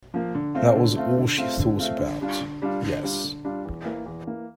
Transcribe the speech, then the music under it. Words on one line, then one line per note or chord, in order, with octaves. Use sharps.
That was all she thought about, yes.
F3 A#3
D3
A3 C4 F4
D3
A3 C4 F4
D3
A3 C4 F4
D3
A3 C4 F4
D3
G3 D4 F4
D3
G3 D4 F4
D3
G3 D4 F4
D3
G3 D4 F4
E2
E3 A#3
E2
E3 A#3